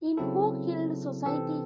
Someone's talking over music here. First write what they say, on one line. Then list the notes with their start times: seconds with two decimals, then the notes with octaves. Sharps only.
In Who Killed Society?
0.17 C#3 F#3 C4 E4 A4
1.26 C3 E3 C4 A4